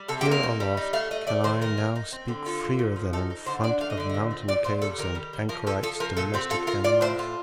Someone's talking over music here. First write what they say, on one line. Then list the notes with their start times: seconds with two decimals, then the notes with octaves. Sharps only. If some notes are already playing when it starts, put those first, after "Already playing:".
Here aloft can I now speak freer than in front of mountain-caves and anchorites' domestic animals.
Already playing: G3
0.08 C3 A4
0.21 G4
0.26 A#3
0.31 A#4
0.43 D#4
0.60 G3
0.77 D#4
0.93 A3 F5
1.11 A3 D#5
1.27 A3 D5
1.44 D#3 C5
1.62 D#3 A#4
1.78 A#3
1.96 D#4
2.12 C4
2.28 D3
2.46 F4 A4
2.62 D3
2.79 A#2
2.96 F3
3.13 D#4 A4
3.30 D#4
3.46 D3 C5
3.63 D4 D5
3.80 A3 F5
3.90 D#5
3.97 D3 D5
4.09 A#2 D#5
4.31 C4
4.48 A#2 D5
4.64 A#2 C5
4.82 G3 A4
4.98 D#3 A#4
5.15 G3
5.33 D#3
5.49 F3 A#4
5.66 F3 A4
5.83 F3 A4
6.00 F3 A#4
6.17 A#2 A4
6.34 C4 G4
6.51 F4 A4
6.67 F4 A#4
6.84 F4 D5
7.01 A2 C5
7.19 F4